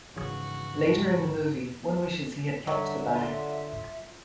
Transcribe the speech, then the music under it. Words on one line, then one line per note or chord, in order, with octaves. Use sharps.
Later in the movie, one wishes he had kept the bag.
G#2 C#3 E3 F3 F#4
G2 D3 F#3 E5
F4 C6